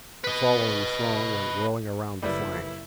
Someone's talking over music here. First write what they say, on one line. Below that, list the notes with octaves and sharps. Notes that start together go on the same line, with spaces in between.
The following throng went whirling around the flank.
B4 D#5
F#1 G#2 G3 A3 E4 B4